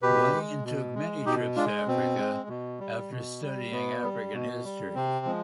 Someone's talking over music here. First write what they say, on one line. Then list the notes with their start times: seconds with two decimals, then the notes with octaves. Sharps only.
Layne took many trips to Africa, after studying African history.
0.02 B2 G4 B4
0.33 G#3
0.64 B2
0.95 G#3
1.25 B2 D#4 G4
1.56 G#3 D4 F4
1.87 B2 C4
2.18 G#3
2.49 B2
2.80 G3
3.11 B2
3.42 G3
3.72 B2 B3
4.03 G3
4.34 B2
4.64 G3
4.95 C3 C4
5.25 F3 G#3